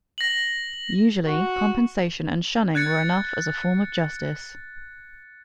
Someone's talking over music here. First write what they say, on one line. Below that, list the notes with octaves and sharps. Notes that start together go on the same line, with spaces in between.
Usually, compensation and shunning were enough as a form of justice.
A#6 F#7
F#4
F#6 G#6 A6 C#7